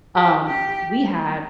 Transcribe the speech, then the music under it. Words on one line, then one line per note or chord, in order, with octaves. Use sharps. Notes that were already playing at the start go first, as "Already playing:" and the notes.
um, we had
G4
G4